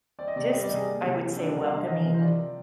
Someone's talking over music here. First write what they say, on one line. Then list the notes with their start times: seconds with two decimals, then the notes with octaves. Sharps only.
just, I would say, welcoming,
0.19 C4 D5
0.28 D#5
0.36 C3 D5
0.52 G3 D#5
0.64 D5
0.70 C3 G#4
0.87 A#3
1.03 C3
1.20 F3
1.37 D4
1.54 G3 A#4
1.65 F5
1.72 C3 D#5
1.87 D#3 D#5
2.05 C3 A#4
2.14 C5
2.22 F3 D5